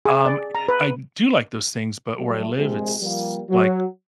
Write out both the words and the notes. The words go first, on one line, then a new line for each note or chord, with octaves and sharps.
Um, i do like those things, but where I live, it's, like,
G#4
D5
A#5
B4
F#3 G3 A3
A#1 C3 G#3
F3 G3 A#3
F#3